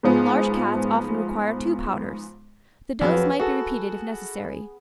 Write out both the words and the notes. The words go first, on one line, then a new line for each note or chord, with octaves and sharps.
Large cats often require two powders. The dose might be repeated if necessary.
G#2 F3 B3 G#4
F2 F#3 B3 G#4 A4
F#4 G#4 A4